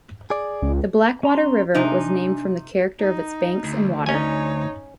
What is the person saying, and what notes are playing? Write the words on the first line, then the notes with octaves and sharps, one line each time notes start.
The Blackwater River was named from the character of its banks and water.
G#4 D5
C#2
C#4 A#5 C6
C3 D4 D#4 G#5
D#4
D2
C#4 D#4 C#5 G#5